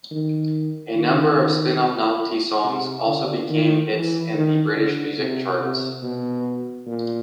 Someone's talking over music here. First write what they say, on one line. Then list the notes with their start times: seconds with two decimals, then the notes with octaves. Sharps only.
A number of spin-off novelty songs also became hits in the British music charts.
0.11 D#3
0.95 D#3
2.64 C3
3.06 D3
3.49 D#3
3.91 E3
4.34 D#3
4.75 D3
5.18 C3
5.60 C3
6.03 B2
6.87 A#2